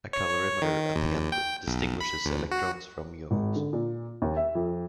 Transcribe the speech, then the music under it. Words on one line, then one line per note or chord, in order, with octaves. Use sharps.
A calorimeter at the end distinguishes electrons from muons.
C#5
C#5
D#3
D#2
G5
B1
B5
D2
F#4
G#1
D3
A#2
D#2
E5
F2